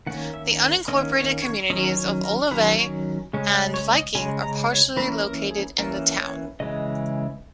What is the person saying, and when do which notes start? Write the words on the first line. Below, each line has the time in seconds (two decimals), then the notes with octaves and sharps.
The unincorporated communities of Olivet and Viking are partially located in the town.
0.07 D#3 A#3 C#4 F#5
0.34 E5
0.88 D#3 A#3 C#4 D#5
1.16 C#5
1.42 C#5
1.70 D#3 F#3 C#4 D#5
1.97 C#5
2.24 A#4
2.51 D#3 F#3 C#4 B4
2.78 C#5
3.33 C#3 G#3 C#4
3.54 F#5
3.74 C#5
3.95 D#5
4.15 C#3 G#3 C#4 G#5
4.42 A#5
4.70 C#5
4.97 E3 A#3 C#4 B4
5.24 A#4
5.51 G#4
5.78 E3 A#3 C#4 A#4
6.19 C#5
6.60 C#3 E3 G#3 D#5